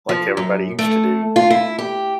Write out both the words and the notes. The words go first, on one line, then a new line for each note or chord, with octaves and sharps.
like everybody used to do.
F3
F#2
A3
F4
E4
G4